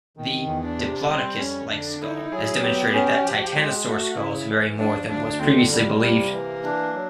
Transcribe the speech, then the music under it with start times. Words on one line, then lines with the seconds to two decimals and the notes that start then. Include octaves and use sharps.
The "Diplodocus"-like skull has demonstrated that titanosaur skulls vary more than was previously believed.
0.17 D#3
0.47 E2
0.63 D4
0.78 C3
1.08 G3 C4
1.39 F2 C#4
1.70 D3 D4
2.01 D#4 E4
2.31 F#3 G#4
2.62 B3 G4
2.93 C#4
3.24 F3
3.55 G#3
3.85 A3 F#4
4.16 C#3 E4
4.48 E3
4.78 F3 D4
5.10 D2 D4
5.40 D3 C4
5.71 G3 A#3
6.01 C3
6.32 E3
6.64 D4
6.94 F#3